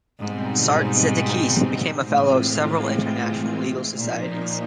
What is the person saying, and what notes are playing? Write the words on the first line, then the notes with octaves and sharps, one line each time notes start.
Sartzetakis became a fellow of several international legal societies.
G#2 B2 G3 C4 D#4
A2 E3 G#3 C4 F4
A#2 F3 A#3 D#4